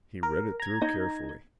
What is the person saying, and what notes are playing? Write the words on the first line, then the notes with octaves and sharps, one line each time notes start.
He read it through carefully.
A#4
A#5 G#6
D#4 D#5